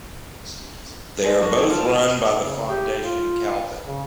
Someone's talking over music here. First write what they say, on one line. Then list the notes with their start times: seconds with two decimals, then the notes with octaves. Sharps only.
They are both run by the Fondation Calvet.
1.23 D#4 A4 C5 D5 D#5 G#5
1.41 F#2 A3 D4 A4 D#5 C#6
1.55 E2 F#3 B3 E4 G4
1.70 G3 F4 A5
2.38 C#3
2.69 G4
2.98 F4
3.84 C#3